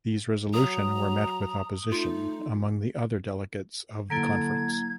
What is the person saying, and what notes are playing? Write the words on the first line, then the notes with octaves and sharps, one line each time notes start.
These resolution were met with opposition among the other delegates of the conference.
F#3 A#5 D#6
A3 D#4 F4
D3 F#3 A#3 E4 A#5 G#6 A6